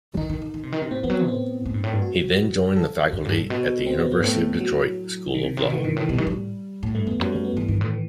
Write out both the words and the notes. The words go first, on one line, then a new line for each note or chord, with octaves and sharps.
He then joined the faculty at the University of Detroit School of Law.
D#3 D#4
D#3
D#3
D#3
C3
D#3
C3
A2 C4
E3 B3
F#3
C4
A2 C4
A2
G2
A2
G2
F#4
A4
F#2
G2
G2
B2
C4
B3
G2 B3
A2 A3
F#3
D#3
C3
C3
B2 D#3
A2 E3
G2 D#3
A2 E3
B2 G3
D#3
F#3
A2
A2
G2 A3
E2 B3
F#2 G3
A3
B3
G2 E3
G2 D#3
A2 E3
E3